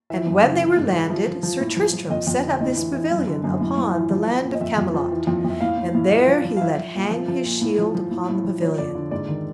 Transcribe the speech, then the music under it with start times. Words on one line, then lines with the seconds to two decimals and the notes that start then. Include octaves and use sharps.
And when they were landed Sir Tristram set up his pavilion upon the land of Camelot, and there he let hang his shield upon the pavilion.
0.10 E3 E5
0.26 F#2
0.44 C#3
0.60 E3
0.77 G#2
0.93 E3
1.10 F3
1.27 F3
1.43 F3
1.60 A2
1.77 F3
1.93 F3
2.10 F2 D#5
2.27 F2
2.44 D3
2.60 A2 D#5
2.77 E3
2.94 E3
3.11 F#2
3.28 D3
3.44 F#2
3.61 A2
3.77 A2
3.94 E3
4.11 F3
4.27 F3
4.44 A#2
4.54 D#5
4.61 F2 E5
4.77 F2
4.94 F3
5.11 E3
5.27 F2
5.45 F2
5.50 E5
5.61 A2 F5
5.78 A2
5.95 A2
6.11 F3
6.28 F3
6.45 F3
6.57 F5
6.61 F3 E5
6.78 F3
6.95 A#2
7.11 F3
7.28 F3
7.44 A#2
7.62 A2
7.78 F3
7.95 F3
8.11 A2
8.28 A2
8.44 F3
8.61 F3 C#5
8.78 F2 D5
8.95 D3
9.11 G#2 D5
9.29 D#3